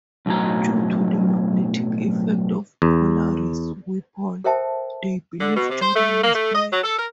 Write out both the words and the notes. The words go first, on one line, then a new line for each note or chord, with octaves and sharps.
Due to the magnetic effect of Polaris' weapon, they believed Jordan was dead.
B1 F#2 A2 F#3 A#5
E2
A4 A#4 C5 E5 G5 A5
D3
B2
C3
C5
A3
A#3
A3
D#5
F#3
A4
A#4